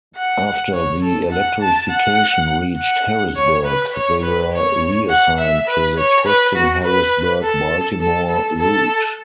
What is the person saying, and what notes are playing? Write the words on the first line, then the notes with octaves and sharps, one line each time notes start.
After the electrification reached Harrisburg, they were reassigned to the twisting Harrisburg-Baltimore route.
F#5
C#5
A4
F#5
A5
F#5
F#5
C#5
B4
C#5
B4
C#5
F#5
E5
B4
C#5
B4
F#4
B4
A4
A4
A4
A4